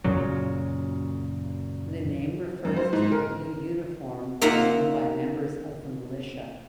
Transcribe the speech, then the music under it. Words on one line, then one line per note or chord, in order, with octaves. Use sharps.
The name refers to the blue uniform worn by members of the militia.
F#2 A#2 C#3 F#3
F#2
C5
G#2
A#4
A#3 D#4 F4 E5 F#5 A#5